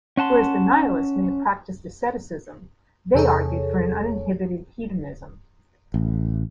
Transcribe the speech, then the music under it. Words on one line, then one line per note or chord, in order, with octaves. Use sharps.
Whereas the nihilist may have practiced asceticism, they argued for an uninhibited hedonism.
C#4 F#5 A5 C6
E2 C3 G#4 A4 C#5
A1